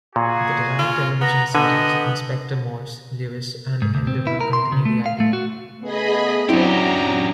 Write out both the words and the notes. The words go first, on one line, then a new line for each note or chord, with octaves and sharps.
The derived television series, "Inspector Morse", "Lewis" and "Endeavour", continue the idea.
A#2 F#4 G#4
F4
B3 A#5
D3 B3 G4 D#5 G#5
G#2
D2
C4
E4
A#4
C6
C#3
A3
F5
A3
F#4
C#3 A3 B3 G#4 D#5 B5
F#2 F#3 C4 D4 E4 G4 A#5